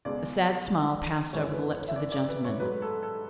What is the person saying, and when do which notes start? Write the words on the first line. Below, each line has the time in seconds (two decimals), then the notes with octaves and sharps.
A sad smile passed over the lips of the gentleman.
0.05 C#2 B2 G#3 D5
1.32 F#2 E3 G#3 C#5
1.54 B4
1.75 C#5
1.88 E5
1.96 D5
2.12 D5
2.28 B4
2.45 C#5
2.60 G#2 F#3 A3 B4
2.82 A4
3.03 A4